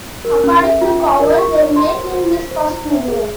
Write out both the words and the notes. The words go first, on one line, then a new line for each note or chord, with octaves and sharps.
According to Cowell, they made him his first million.
A#4
C#4
E5
F4
G5
A#4
C#6
C#5
C6
C5
C5
F5
C5
E4
E5
G#4